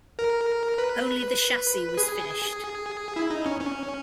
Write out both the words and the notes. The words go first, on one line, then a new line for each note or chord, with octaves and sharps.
Only the chassis was finished.
A#4
B4
G#4
E4
D#4
C#4
C#4